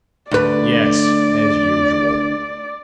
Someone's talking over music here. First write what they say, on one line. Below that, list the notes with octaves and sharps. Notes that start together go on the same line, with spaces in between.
"Yes--as usual!"
D2 B4 D5